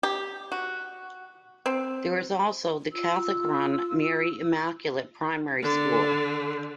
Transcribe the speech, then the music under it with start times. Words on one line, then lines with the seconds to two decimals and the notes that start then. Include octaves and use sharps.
There is also the Catholic run Mary Immaculate Primary School.
0.03 G4
0.52 F#4
1.66 C4
2.93 F4 E6
5.63 D3